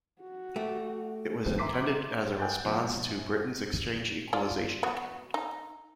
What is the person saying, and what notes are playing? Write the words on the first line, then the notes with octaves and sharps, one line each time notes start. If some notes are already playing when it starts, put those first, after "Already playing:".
It was intended as a response to Britain's Exchange Equalisation Account.
F#4
A3 G4
D#3 F3 A3 B3 C4
E5 A#5 C6 D6 B6 C7
F#5 G5 F#6 G6 A6
B2 F3 G#3
A#1
F4 D5
B3 F#4
D#4